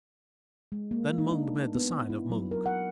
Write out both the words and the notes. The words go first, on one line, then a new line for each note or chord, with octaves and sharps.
Then Mung made the sign of Mung.
G#3
A#3
D#4
D4
B3
E4
F#3
A#4
F#5